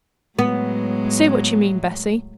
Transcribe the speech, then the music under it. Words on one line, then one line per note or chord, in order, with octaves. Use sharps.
"Say what you mean, Bessy."
A2 F#3 G#3 B3